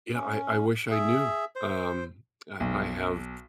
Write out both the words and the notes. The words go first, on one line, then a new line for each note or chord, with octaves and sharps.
Yeah. I I wish I knew. Um, I I have
C#4
G#4 E5
C5
B1